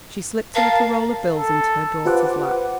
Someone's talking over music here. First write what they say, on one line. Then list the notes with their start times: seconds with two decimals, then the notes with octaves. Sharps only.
She slipped a little roll of bills into her daughter's lap.
0.55 A#4 F5 A5
1.37 A4
2.05 F4 G4 B4 C5 F#5 D6